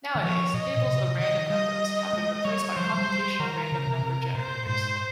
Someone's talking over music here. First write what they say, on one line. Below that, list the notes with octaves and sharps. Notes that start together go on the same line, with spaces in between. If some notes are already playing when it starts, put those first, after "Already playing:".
Nowadays, tables of random numbers have been replaced by computational random number generators.
D#3
F3 C#5
A#2 D#5
A#2
C3
D#3 D#5
G3 D#5
G#3
G3 C#5
F3 C5
G3
F3
G3
G3
D#3 A#4
C#3
C3
C3
A#2 C5
G#2 C5